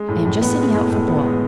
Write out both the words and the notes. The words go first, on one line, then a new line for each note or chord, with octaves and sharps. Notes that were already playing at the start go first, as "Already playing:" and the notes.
I am just setting out for Blois.
Already playing: G#3
A2
A2
B3
G#3
A2
A2
B3
G#3